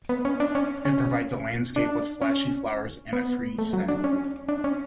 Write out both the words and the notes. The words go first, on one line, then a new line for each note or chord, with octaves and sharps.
It provides a landscape with flashy flowers and a fruity scent.
B3
C#4
D4
C#4
C#4
D4
C#4
B3
A3
F#3
D4
C#4
D4
C#4